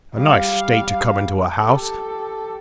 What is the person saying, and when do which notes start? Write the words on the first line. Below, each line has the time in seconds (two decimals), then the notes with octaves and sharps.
A nice state to come into a house!
0.15 G3 F5
1.59 G4 A4